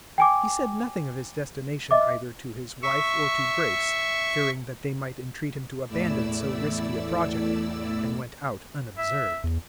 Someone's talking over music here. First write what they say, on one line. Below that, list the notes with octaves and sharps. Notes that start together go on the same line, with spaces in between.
He said nothing of his destination either to his wife or to Grace, fearing that they might entreat him to abandon so risky a project, and went out unobserved.
G5 G#5 D6
D#5 E5 D6
E5 C#6
E2 A2 A3 E4 D5 E6
E5
E2